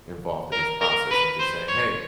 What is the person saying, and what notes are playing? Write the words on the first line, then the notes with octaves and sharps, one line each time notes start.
involved in this process, and just saying, "Hey,
A#4
A#4
B4
C5
C#5